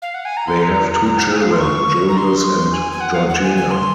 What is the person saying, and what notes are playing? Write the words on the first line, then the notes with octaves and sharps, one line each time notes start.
They have two children, Julius and Georgina.
F5
F#5
G#5
A#5
C6
A#5
A#5
F#5
G#5
F5
C6
C#6
A#5
C6
G#5
G#5
F#5
F5
F#5
G#5
G#5
C6